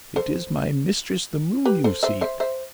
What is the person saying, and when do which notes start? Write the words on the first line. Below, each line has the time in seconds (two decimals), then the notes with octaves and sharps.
'It is my mistress, the Moon, you seek.
0.16 A4 C5
1.66 G4 B4
1.84 A4 C5
2.03 C5 E5
2.21 C5 E5
2.40 C5 E5